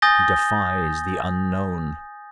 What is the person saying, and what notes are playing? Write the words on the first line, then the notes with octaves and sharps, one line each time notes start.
He defies the Unknown.
G#5 D#6 G6 A6 A#6 G7